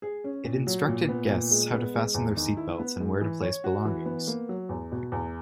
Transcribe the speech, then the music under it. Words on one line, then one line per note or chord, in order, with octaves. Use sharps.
It instructed guests how to fasten their seat belts and where to place belongings.
G#4
C#4
A#2
F#3
A#2
B3
A#2
G#3
B3
G#3
E2
D#3
E4
B3
G#2
E3
C#5
F#4
E3
B3
A#3
F#3
E2
B2
E2